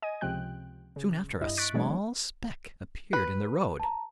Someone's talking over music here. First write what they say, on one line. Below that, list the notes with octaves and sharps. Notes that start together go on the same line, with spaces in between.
Soon after a small speck appeared in the road.
D#5 G#5 D#7
C#2 C3 F3 G5 F#6
C#3
G2 E4 D#5
C#6 F#6 A6 B6 D7
E3 F#3 G#3 B3 D4 C#5
B4
A5 A#5